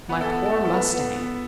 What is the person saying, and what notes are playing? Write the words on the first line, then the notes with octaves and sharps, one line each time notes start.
"My poor mustang!"
B3 B4
A4
B3
A4
B3
A4
B3 B4
B3
B3